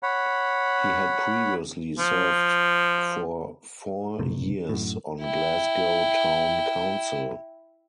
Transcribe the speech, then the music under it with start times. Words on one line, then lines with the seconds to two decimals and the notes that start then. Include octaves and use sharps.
He had previously served for four years on Glasgow Town Council.
0.03 C#5 F#5 B5
1.99 F3
4.19 F#1 B1 A2 C3
4.69 F#2 A2
5.21 E4 G5